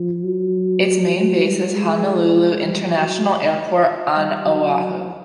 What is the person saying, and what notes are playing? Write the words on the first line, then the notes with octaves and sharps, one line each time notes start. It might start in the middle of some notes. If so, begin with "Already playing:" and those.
Its main base is Honolulu International Airport on Oahu.
Already playing: F3
F#3
F#3
G3
G#3
G3
F#3
G3
F#3